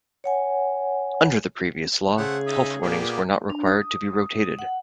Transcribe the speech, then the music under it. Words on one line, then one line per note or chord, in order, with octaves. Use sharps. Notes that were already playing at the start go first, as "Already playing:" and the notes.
Under the previous law, health warnings were not required to be rotated.
C#5 F#5 G#5
C#3 A3 G#4 C5 F#5
D#4 E5 D#6
A#2 A#3 B3 G4
D4
D#6
F#5